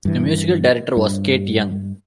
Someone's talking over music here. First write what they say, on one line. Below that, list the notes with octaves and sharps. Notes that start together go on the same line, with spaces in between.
The Musical Director was Kate Young.
G2 E3
G2